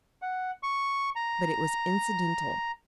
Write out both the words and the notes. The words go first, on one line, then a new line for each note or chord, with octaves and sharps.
But it was incidental.
F#5
C#6
A#5